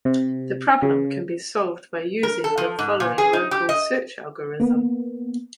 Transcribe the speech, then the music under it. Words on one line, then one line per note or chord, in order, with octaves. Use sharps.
The problem can be solved using the following local search algorithm.
C3
C#3
A#4
A4
F3
G#2
A#2
G#4
D#4
G4
D#5
A#3 B3